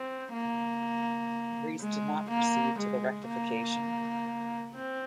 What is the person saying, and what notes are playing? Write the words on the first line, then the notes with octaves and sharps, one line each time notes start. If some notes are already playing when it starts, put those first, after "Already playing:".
Greece did not proceed to the rectification.
Already playing: C4
A#3
G#3
A#3
G#3
A#3
C4